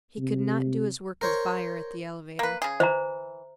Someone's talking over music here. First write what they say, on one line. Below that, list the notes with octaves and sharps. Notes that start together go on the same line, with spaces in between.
He could not do his work as buyer at the elevator.
C3
A#4 C5 C#5
A#3 B4
C#3 G#4
E3 C5 A#5